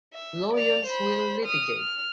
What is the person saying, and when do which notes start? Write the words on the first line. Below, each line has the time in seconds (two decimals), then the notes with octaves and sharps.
Lawyers will litigate.
0.14 E5
0.54 D5 F7
0.86 C5 B5
1.45 D#6 F6
1.76 F6